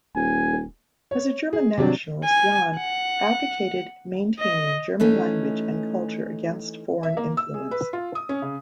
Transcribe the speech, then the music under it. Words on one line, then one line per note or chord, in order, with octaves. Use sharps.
As a German nationalist, Jahn advocated maintaining German language and culture against foreign influence.
D#1 G#5
C#5
G#4
C3 F#3 D4
G#5
F#5
D#5
E3 A3 C#4 D#4
E5
A#3
E6
G#4
B4
F4
D#6
C#4
C#3